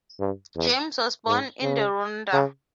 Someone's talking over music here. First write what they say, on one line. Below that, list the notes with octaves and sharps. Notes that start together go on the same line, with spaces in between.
James was born in the Rhondda.
G2
E2
G#2
C#3
C#3